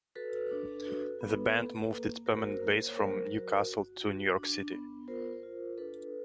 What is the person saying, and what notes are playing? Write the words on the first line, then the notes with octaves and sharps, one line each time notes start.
The band moved its permanent base from Newcastle to New York City.
F#4 A4 B4
D4
F#4
B3
A#3
A#3
F#4 A#4 C5
A#3
C#5
F#3 A#4 C5
F#4
F#4
F#4
D4
B3
F4 A#4 C5
F4
D4 A4 B4